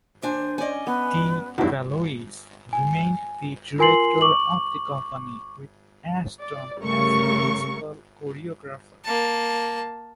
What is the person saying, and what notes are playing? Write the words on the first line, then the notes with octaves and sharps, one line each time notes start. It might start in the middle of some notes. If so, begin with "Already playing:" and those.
De Valois remained the director of the company, with Ashton as principal choreographer.
D#2 D4 C5 G#5
C#4 D5 D#5 G#5
B3 B4
B1 E2 G2 F#3 E4
G#5
F4 A#4 G#5 C6 C7 F#7
C#6 D6 F#7
D5
G1 C#3 G3 A3 A#4 C#6
A#3 A5